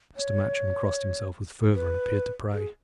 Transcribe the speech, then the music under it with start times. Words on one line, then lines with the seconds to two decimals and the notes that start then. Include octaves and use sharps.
Master Matcham crossed himself with fervour, and appeared to pray.
0.17 C#5
1.75 B4
2.53 G#4